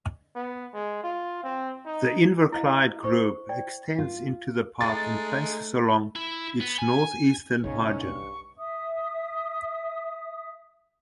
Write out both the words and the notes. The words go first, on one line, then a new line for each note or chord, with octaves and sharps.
The Inverclyde Group extends into the park in places along its northeastern margin.
B3
G#3
F4
C4
D#4
E4 D#5 F5
C5 C#6
D5 G5
F4
G#3 A3 D#4 A6
E4
B3
G#5
B1 C#3 C#4 D#4 C#5
G2 C#6
E5 D#6